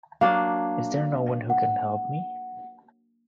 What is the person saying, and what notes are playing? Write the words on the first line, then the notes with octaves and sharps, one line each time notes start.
Is there no one who can help me?
F#3 A#3 D4 F5
F#5